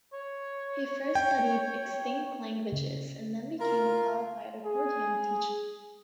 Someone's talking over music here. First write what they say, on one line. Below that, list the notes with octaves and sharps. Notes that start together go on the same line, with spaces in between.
He first studied extinct languages and then became a qualified accordion teacher.
C#5
G5
C#3
F4 A#4
G#4